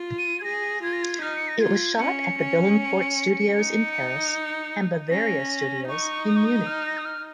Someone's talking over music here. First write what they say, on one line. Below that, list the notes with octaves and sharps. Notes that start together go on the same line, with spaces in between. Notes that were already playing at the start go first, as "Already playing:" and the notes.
It was shot at the Billancourt Studios in Paris and Bavaria Studios in Munich.
Already playing: F4
D#7
G#6
G#4 A#6
F4 G#6
A#6
G#6
D#4 F6
C#7
A#6
F4 G#6
C#4 C#7
C#4
D#4
C#4 A#6
D#4 C#6
D#6
C#6
D#6
F6
A#6
D#6
F6